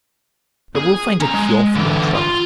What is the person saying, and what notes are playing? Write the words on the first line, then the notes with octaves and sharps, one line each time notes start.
But we'll find a cure for your trouble.
G#4
C#4 A#5
G#3
D3 E3
F4